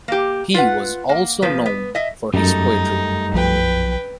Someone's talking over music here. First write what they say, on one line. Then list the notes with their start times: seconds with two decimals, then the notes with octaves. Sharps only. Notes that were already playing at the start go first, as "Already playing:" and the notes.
He was also known for his poetry.
0.08 A#3 G4
0.54 F4 B4 F#5
1.09 A#3
1.42 A#2 F3 B3
1.66 B3
1.95 D#5 E5
2.34 F#2 G3 A3 D#4 A4
3.34 B1 F3 B4 G5